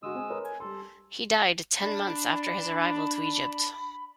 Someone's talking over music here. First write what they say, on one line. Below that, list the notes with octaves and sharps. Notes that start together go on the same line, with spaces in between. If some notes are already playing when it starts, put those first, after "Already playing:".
He died ten months after his arrival to Egypt.
D3 G#3 F#4 D#6 E6
C4 G#5
A#4 B4 C#5
G#5
G3 A4 C6
D4 B5